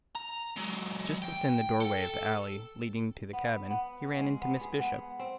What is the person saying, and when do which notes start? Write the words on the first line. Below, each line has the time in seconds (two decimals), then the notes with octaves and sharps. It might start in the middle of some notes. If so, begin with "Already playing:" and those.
Just within the doorway of the alley leading to the cabin, he ran into Miss Bishop.
0.15 A#5
0.56 F#3 G#3
1.22 G5
1.80 A4
3.33 B3
3.70 B3
4.19 G#3
4.41 B3
4.61 G#4
4.80 B3
5.19 C4